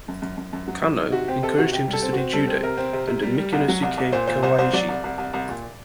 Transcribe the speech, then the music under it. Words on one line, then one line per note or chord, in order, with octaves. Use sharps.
Kano encouraged him to study Judo under Mikinosuke Kawaishi.
F#2
F#2
F#2
F#2
F#3
F#3
D#3
C3 F#4
C4 G4
C3 A4
C3 F#4
C3 G4
G3
A4
C4
C4 F#4
G3 A4
C4
C3 A#4
C4
C3
C3
G3
G3
C2
F#3
C2
C2
A#2 C5
A#2 C5
C2 C5
C2 C5
F#3 D5
C2
C2
C2
C2
A#2